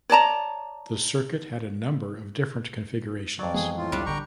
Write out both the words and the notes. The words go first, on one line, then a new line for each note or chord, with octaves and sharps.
The circuit had a number of different configurations.
C#5 D5 A5 A#5
F2 F#3 D5
E3 G#3 B3 G#4
A2 F4
C#2 G3 D4
A1 D3 G5 A#5 C#6